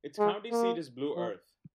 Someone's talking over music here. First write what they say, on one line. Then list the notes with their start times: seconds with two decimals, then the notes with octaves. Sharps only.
Its county seat is Blue Earth.
0.19 G#3
0.51 A#3
1.16 F3